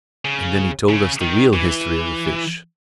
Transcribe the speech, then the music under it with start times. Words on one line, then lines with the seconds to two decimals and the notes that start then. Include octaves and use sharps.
And then he told us the real history of the fish.
0.25 C#3
0.89 C#3
1.21 D#3
1.53 E3